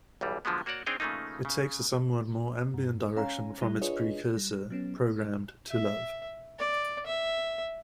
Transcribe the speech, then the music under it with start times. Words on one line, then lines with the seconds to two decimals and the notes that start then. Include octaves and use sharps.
It takes a somewhat more ambient direction from its precursor, Programmed to Love.
0.21 B1 E2 E3 G3
0.45 D3 F3 F#3 G#3 B3
0.66 A#3 F#4 C#5 D5 F#5
0.86 C4 D4 D#4 G#4 C#5 G5
1.00 C#3 F3 A3 A#3 D#4
1.45 C#3
2.74 G2
3.16 C#4 C#5 F5 G#5 A#5
3.61 G3 E4
3.81 D4 F4 G#4 B4 C#5 D#5
4.37 G3
4.70 F#3 B3 C#4
5.69 E5
6.59 D5
7.06 E5